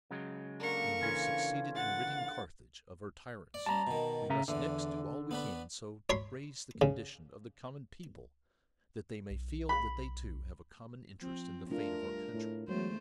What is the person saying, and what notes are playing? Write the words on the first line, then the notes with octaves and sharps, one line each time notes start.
When we have succeeded in ridding Carthage of her tyrants we must next do all we can so to raise the condition of the common people that they may feel that they too have a common interest in the fate of our country.
C#3 F#3 G#3
D3 A#3 A#4 C#6
C#3 E3 C#4 F4
F#5 A6
D5
G3 C#4 A5 A#5
B2 D#3
C#3 E5 A#5
E2 D3 E3
B3 D4 B4
C#5 B5 C6
C#3
B1
B5
F3 C4
A3 D4 F4 A#4
G2
A2
E2 F#3 G#3 A3 C5